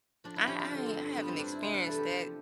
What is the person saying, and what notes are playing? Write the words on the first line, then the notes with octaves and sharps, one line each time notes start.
I I ain't I haven't experienced that.
F3 D4
E4
F3 G4
F4
D3
C4
G2
G3 B3
C4
G3 D4
E4
C3 C5
B4
E2 A4
G4
F3